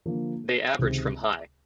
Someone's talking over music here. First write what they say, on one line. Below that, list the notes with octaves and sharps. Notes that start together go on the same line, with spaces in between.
They average from high.
D3 F3 A#3
C#2 C3 D#3 G#3 C4